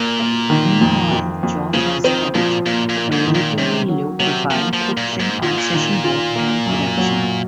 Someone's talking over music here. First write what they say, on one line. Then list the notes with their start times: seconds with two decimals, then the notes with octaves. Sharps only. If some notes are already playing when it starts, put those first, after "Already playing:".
Meanwhile Joff has kept a relatively low profile, focussing on session work and production.
Already playing: A#2 A#3
0.20 A#3
0.50 D#3
0.81 F2
1.12 F2
1.43 F2
1.74 C#3 F3
2.04 D#3 C4
2.34 A#2 F3
2.66 A#2 A#3
2.89 A#2
2.97 A#3
3.12 G#2
3.28 D#3
3.35 A#2
3.58 C3 C#4
3.89 F#3
4.20 C3 F#3
4.50 F3 A#3
4.73 F3
4.81 A#3
4.97 A#2
5.12 A#3
5.20 G#2
5.42 A#2 F4
5.51 G#2
5.58 A#2
5.74 D#3
6.04 F4
6.35 A#3
6.66 F#2
6.97 F#3